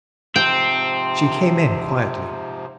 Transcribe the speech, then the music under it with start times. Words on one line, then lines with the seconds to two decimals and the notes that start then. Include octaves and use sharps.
She came in quietly.
0.36 G#2 C3 F3 C4 G5